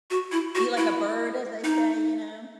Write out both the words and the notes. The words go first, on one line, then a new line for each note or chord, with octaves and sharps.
Eat like a bird, as they say, you know?
F#4
E4
F#4
E4
D#4